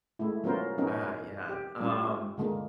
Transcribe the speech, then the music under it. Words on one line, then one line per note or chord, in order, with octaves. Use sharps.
I yeah, um,
G#3 A3 E4
F#3 B3 C#4 F4 A#4 C5
F#3 B3 C#4 D#4 A#4
G4
G3 C#4 F4
D3 G#3 A#3